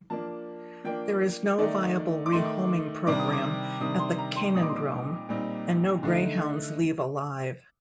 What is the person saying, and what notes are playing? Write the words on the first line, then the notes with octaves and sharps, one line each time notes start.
There is no viable rehoming program at the Canidrome, and no greyhounds leave alive.
F3 A#3 D4 A5
F3 A#3 D4 G5
D#3 A3 D#4 D5
D6
D#3 A3 D#4 C6
C3 D#3 G3 D4 D6
D#6
D6
C3 D#3 G3 D4 D#6
C6
A#5
C6
A#2 G3 C4 D#4 D#6
D6
C6
D6
A#2 G3 C4 D#4
D3 A3 D#4